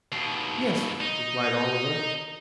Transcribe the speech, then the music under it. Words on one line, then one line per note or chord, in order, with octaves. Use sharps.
'Yes,' replied Oliver.
D#2 B2
D#4